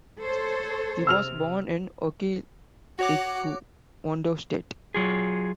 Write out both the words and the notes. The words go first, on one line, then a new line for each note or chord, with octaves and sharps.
He was born in Oke-Igbo, Ondo State.
A4 C5 C#5
C3 E6 F6 F7
F#4 C#5 F#5 D6
F#3 F4 G#4